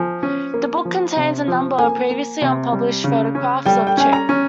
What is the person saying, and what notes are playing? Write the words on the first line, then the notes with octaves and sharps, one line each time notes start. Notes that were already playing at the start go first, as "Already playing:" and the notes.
The book contains a number of previously unpublished photographs of Chick.
Already playing: F3 G#5
C#4
A#3
F3
C3
F3
A#3 G#5
A#3
C3
G3
C#3
C#4
G3 G5
G5
C#4 G#5
A#5
C#4